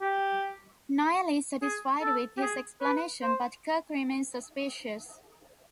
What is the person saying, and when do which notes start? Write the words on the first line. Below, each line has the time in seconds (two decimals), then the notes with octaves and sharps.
Noel is satisfied with his explanation, but Kirk remains suspicious.
0.01 G4
1.62 G#4
2.02 A4
2.37 G4
2.42 G#4
2.82 B4
3.23 C5